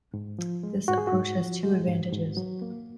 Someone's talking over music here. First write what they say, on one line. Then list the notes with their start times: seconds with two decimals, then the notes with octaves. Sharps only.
This approach has two advantages.
0.14 G#2
0.39 F3
0.63 G#3
0.88 G#2 F#4
0.98 G#4
1.07 F#4
1.13 G#2
1.37 F3
1.63 G#3
1.87 G#2
2.12 G#2
2.37 F#3
2.62 A#3